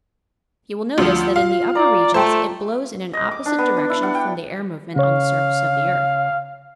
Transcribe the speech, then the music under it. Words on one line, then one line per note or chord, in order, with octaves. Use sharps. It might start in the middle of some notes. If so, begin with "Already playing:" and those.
You will notice that in the upper regions it blows in an opposite direction from the air movement on the surface of the earth.
D2 F3 F4
F5
D5 A#5
A3 C5 G5
D#5
D6
D4
B3
D4
E4
F#5
G5
C#3 C#5 F5